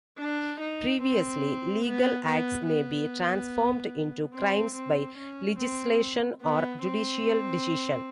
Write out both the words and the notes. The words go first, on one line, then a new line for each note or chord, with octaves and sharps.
Previously legal acts may be transformed into crimes by legislation or judicial decision.
D4
D#4
C4
B3
B3
B3
C4
C4
C#4
C4
B3
C4